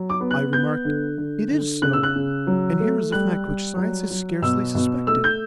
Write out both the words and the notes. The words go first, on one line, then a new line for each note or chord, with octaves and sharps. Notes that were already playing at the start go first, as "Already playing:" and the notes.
I remarked: "It is so; and here is a fact which science has scarcely suspected."
Already playing: F#3
D6
B3
F#6
B3 G6
D3
D3
D3
C#3 F#6
E6
F#6
C#3
F#3
A3
G3 F#6
G3
F#3
F#3
B2 E6
B2
A3 E6
G6